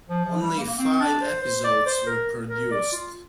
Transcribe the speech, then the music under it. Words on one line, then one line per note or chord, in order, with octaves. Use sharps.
Only five episodes were produced.
F3
F3
G3
A#3
A#3
C4
D4
C5
C5
D5
C5
A#4
A#4
D5
F4